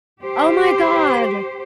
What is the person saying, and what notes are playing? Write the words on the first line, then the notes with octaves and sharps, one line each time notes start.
Oh, my god. E
G4 C5